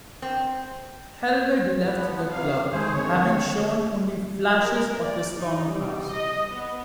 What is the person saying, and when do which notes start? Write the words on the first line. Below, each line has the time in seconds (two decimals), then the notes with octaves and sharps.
Helveg left the club, having shown only flashes of his former class.
0.22 C4
1.85 E2 E4 B4
1.99 F3 B3
2.31 C3 F5
2.73 D#3 G#3 A3 G#4 C5
2.93 D3 C4 C#5
4.61 A#4
4.99 D5
5.37 D#4
5.72 G3
6.10 D#5
6.49 B3